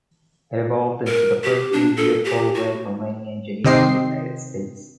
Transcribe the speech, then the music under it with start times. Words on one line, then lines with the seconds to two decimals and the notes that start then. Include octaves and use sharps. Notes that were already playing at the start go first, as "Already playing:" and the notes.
It evolved into the first three-year program for mining engineers in the United States.
1.07 A#4
1.44 G4
1.73 D4
1.97 A4
2.25 G4
2.55 F#4
3.64 C3 D#3 C5 D#5 G5 C7